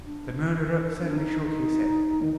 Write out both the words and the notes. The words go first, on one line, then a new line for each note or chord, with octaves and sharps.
The murderer sadly shook his head.
D4
C4
D4
D#4
D4
D#4
D#3